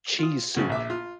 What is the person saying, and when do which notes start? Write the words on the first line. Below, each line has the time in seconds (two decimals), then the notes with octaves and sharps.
cheese soup."
0.19 F4 D#6
0.55 G#1 C#3 F#4
0.70 A#1 E5 D6
0.90 F4